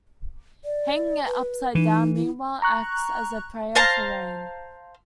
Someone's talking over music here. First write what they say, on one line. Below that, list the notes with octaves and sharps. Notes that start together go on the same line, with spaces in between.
Hanging it upside-down, meanwhile, acts as a prayer for rain.
D5
B4
E3 D#4
E4
A#5 C#6 F#6
C5 F5 A5 A#5